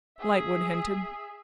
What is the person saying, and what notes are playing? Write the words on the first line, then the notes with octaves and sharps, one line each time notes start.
Lightwood hinted.
G#4 E5